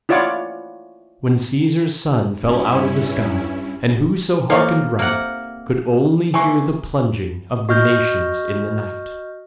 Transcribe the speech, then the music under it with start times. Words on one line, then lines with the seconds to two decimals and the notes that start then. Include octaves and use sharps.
When Caesar's sun fell out of the sky And whoso hearkened right Could only hear the plunging Of the nations in the night.
0.09 E4 F4 C#5 D5 F#5 D6
2.37 G2 C#4 E4
4.50 A#3 D#4 A4 C5 C#5 F5
4.99 C3 A#3 F#5
6.34 E3 G#3 A#3 G#5 C#6
7.69 F#4 D#5 F6 G6